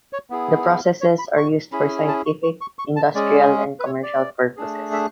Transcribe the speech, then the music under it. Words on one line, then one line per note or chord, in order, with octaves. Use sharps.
The processes are used for scientific, industrial and commercial purposes.
C#5
B3 E4 G#4
C#5
B5
C#6
C#4 E4 G#4 B5
A5
C#6
C#6
C#6
C#6
A5
G#3 C#4 G#4 D5
B4
C#5
D5
A3 D4 G#4
E5